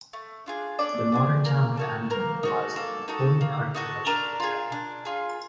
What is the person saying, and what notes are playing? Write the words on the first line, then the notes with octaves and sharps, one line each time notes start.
The modern town of Amioun lies on an important archaeological tell.
A3
D4 F4 G#4
A3 D4 D5
D4 F4 G#4
A#3 A#4
D#4 F#4 A4
A#3 A#4
D#4 F#4 A4
A#3 A4
D#4 F#4 A4
A#3
D#4 F#4 A4
D4 A#4
F4 G#4
D4
F4 G#4